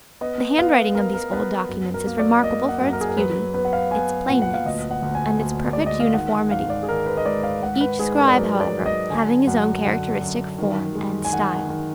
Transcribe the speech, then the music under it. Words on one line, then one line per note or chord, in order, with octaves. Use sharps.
The handwriting of these old documents is remarkable for its beauty, its plainness, and its perfect uniformity; each scribe, however, having his own characteristic form and style.
B3 D#5
B3 F5
B3 A#4
A#4
B3 B4
F#2
A#4
A#3
D5
A#3 D#5
F#5
F#2
A#4
G#4
A#4
F#3 B4
B3 B4
F#5
F5
B3 G#5
A#2 F#5
F#5
F5
D2 D#5
F#5
D2
G#5
D2
G#3 D5
D#5
F5
D#3 F#5
F#5
G#2 F5
D5
G#4
D#3 A#4
B4
D#5
G#2 D5
F5
G#2 F#5
B4
G#2 G#4
A#4
D5
F#3 B4
D5
F#3
D#5
D3 G#5
F#2 F#5
D3 F#5
F#2
D#3
G#3
G#5
D#3 F#5
D#3